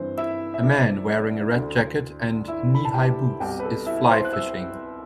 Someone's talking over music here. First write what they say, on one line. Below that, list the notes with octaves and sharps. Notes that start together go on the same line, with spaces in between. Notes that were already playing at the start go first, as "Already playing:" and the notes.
A man wearing a red jacket and knee high boots is fly fishing.
Already playing: G2 E3 C4 C5
E4 E5
E5
D4 D5
D2 D3
E4 E5
B5
A5
G4 G5
C2 B2 G4 G5
B4
A4
E4 E5
C5 C6
F#6
E5 E6